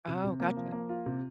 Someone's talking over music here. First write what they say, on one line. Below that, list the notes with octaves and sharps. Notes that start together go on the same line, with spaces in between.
Oh, gotcha.
C3
C3
A#3
F3
A#3
F4
C3